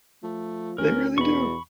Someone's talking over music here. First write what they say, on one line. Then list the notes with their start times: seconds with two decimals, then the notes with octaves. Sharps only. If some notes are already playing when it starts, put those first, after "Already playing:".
they really do.
0.23 F3 A3
0.78 D2 C#4 A#4
1.18 E2 B2 B5 C#6